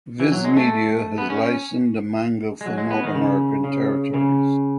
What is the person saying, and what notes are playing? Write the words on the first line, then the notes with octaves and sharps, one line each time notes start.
Viz Media has licensed the manga for North American territories.
E3
F#3
G#3
A3
B3
C#4
C#4
G#3
F#3
G#3
B3
D#3
C#3
C#3
C#3